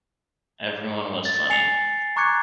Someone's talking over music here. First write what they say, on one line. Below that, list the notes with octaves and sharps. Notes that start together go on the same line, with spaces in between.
Everyone was funny.
A6
G#5 A6 C7 C#7 F7
A#5 C#6 D6 F#6 G#6 C#7